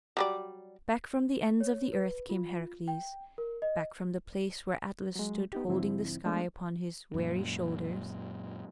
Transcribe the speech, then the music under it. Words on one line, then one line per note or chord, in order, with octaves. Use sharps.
Back from the ends of the earth came Heracles, back from the place where Atlas stood holding the sky upon his weary shoulders.
F#3 G3 D5
C#5
B4
F4
G5
A#4
D#5
F#3 G#3
B3 D#4 G4
G#2 D3 F3 C4 E4
G#3 A3 B3 D4
F#2 A#2